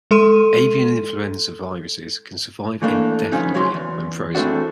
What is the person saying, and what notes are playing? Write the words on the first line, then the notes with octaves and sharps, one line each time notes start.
Avian influenza viruses can survive indefinitely when frozen.
G#3 A4 C6 D#7
E3 A3 A#3 D4
F3 B3 C#4 D#4
C#2 F#3 G#3 F#4 A#5 C6
E2
E3 G#3 A3 C4 D4 F#4